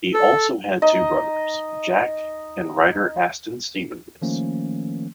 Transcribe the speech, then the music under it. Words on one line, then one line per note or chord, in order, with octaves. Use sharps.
He also had two brothers, Jack and writer Aston Stevens.
A4
D#4 D#5
D#3 F3 A3 A#3 C#4